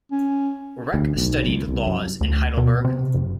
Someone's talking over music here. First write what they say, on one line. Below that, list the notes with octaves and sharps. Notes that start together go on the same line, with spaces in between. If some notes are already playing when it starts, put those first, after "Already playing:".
Rech studied laws in Heidelberg.
C#4
D2
B1
C#2
C2
F#2
D2
B2
C3
F#1